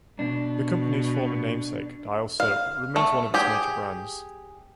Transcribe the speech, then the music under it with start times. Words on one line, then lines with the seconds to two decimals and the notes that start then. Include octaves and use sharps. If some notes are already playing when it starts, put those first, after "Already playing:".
The company's former namesake, Dial soap, remains one of its major brands.
0.19 B2 D4
2.40 F5
2.96 A3
3.34 G4 G#4